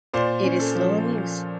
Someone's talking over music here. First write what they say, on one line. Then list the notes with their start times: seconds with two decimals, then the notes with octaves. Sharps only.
It is still in use.
0.13 A#2 C5 D5
0.44 C#4
0.59 A4
0.75 F3